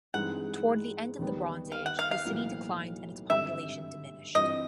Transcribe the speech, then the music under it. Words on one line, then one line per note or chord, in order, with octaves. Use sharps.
Toward the end of the Bronze Age, the city declined and its population diminished.
G2 E3 G#3 C4 D#4 F#5
D#2 D#3 G3 B3
F5
F#5
F5
F5
B1 A2 E3 G3 A#3
G#1 G2 D3 G3 E5
G2 E3 G3 C4 F4 D#5